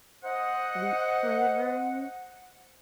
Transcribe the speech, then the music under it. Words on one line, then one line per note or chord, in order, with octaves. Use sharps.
sweet flavoring,
C5 D#5 F#5